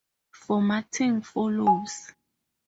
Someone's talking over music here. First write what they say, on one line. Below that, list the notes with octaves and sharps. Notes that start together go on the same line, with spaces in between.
Formatting follows.
G#5